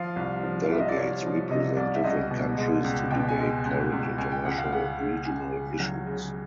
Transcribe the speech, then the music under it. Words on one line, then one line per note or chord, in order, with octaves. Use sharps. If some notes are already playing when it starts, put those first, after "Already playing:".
Delegates represent different countries to debate current international and regional issues.
Already playing: F3 F5
C2
F3
F5
C2 E5
D#5
D5
C2 C#5
F3
C3 D#5
C2 D5
E5
C#2 D#5
B2
G#3
C#2
B2 G5
G#5
G#3
C#2
C#2
C#2 G#5
G5
C#2 F#5
F5
C#3 F#5
C#3
C#2 G#5
C#3
F#3
C#3